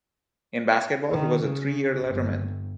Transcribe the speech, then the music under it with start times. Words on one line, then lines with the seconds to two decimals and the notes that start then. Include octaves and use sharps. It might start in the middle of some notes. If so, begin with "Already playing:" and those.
In basketball, he was a three-year letterman.
1.11 D#3
1.42 C#3
2.06 G1